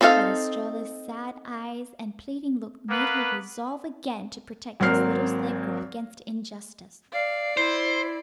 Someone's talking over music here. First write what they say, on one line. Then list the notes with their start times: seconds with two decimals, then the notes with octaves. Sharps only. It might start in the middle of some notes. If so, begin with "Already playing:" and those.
But Estralla's sad eyes and pleading look made her resolve again to protect this little slave girl against injustice.
0.01 C4 D#4 A4 C5 F5
2.89 A#3 B3 B4
4.80 G#1 F#3 A#3 C4 F6 C7
7.13 D5 F5
7.57 E4 C5